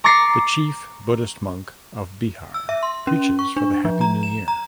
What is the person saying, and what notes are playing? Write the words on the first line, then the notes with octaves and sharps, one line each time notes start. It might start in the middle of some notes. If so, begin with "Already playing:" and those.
The chief Buddhist monk of Bihar preaches for the happy new year.
A#5 C#6 D6 A6 A#6 C7
E6
E5
C6
C#4
C#6
D4
F3
A#5
E7
A#5